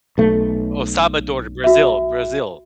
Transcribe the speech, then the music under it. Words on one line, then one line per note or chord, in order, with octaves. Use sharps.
Oh, Salvador, Brazil. Brazil.
B1 A3
F#4 E5